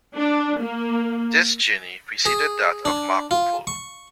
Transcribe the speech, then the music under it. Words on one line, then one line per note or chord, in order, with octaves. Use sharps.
This journey preceded that of Marco Polo.
D4
A#3
G#4
D4
F4
C#6